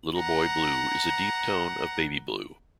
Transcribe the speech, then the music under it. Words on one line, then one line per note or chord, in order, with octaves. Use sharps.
Little boy blue is a deep tone of baby blue.
F#5 A#5